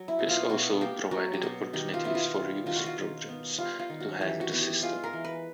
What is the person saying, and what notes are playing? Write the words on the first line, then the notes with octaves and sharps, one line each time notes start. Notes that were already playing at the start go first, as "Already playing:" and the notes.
This also provided opportunities for user programs to hang the system.
Already playing: F#3
E4
B2
F4
B2 F#4
A#3 G4
F#3 F#4
G4
B2 F#4
D#3 G4
F4
B3 E4
F4
G3
D#3 F4
F#4
F4
D#3
B3
G3 F4
F4
D#3
F#4
E3 G4
F#4
B3
G4
G#3 F4
A#4
E3
B4